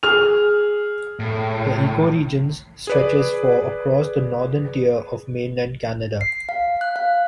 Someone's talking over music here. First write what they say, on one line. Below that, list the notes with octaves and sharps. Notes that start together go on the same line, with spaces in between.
The ecoregions stretches for across the northern tier of mainland Canada.
G#4 F6 F7
A2
G#4 B4 D5
C7
F5
F#6
F5